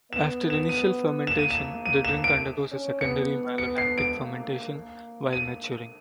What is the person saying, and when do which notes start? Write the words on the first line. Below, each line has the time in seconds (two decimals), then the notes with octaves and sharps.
After initial fermentation, the drink undergoes a secondary malolactic fermentation while maturing.
0.12 B3 E7
0.50 E7
0.69 D#7
1.27 A#3 E7
1.39 D#7
1.51 E7
1.86 D#7
2.05 E7
2.24 D7
2.71 C#4
3.01 B3 C#7
3.58 C#7
3.78 C7
3.98 D7
4.16 A#3
4.75 A#3
5.33 D#7